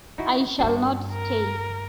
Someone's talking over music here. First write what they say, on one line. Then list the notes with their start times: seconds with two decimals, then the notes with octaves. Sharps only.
I shall not stay.
0.18 D#3 D#4 E4 F#4
0.59 G2 A3 D4 F#4 C5
1.12 A#4